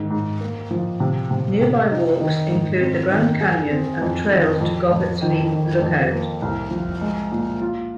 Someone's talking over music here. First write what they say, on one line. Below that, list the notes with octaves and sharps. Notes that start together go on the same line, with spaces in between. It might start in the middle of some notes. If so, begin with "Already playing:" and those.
Nearby walks include the Grand Canyon and trails to Govetts Leap lookout.
Already playing: G#2 D#3
G#2
A#3
F3
C3
C3
C3
D#4
D#3
G#2
C4
D#3
G#4
C4
F2
D#3
F2
F2
D#3
D#3
F2
A#3
C2
F3
G#3
A#2
F4